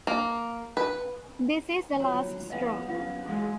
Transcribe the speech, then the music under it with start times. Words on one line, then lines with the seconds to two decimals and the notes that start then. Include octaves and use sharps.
This is the last straw.
0.07 A#3
0.77 B4
2.00 F#3 F4 C#5 A#5
2.50 F2 B3 G#4 D#5 F5 G#5
2.89 F#2 B3 F5
3.26 G#2 E3 F#3 G#3 F5